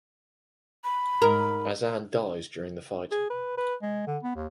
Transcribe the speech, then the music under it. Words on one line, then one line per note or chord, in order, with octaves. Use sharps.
Azaan dies during the fight.
B5
G#2 A#4
G#4
B4
B4
G#3
D3
B3
D#2